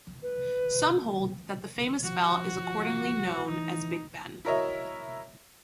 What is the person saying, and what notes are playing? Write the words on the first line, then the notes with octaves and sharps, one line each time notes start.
Some hold that the famous bell is accordingly known as 'Big Ben'.
B4
F3 F#4
E3 D#4
E4 F#4 A#4 C#5 D#5 E5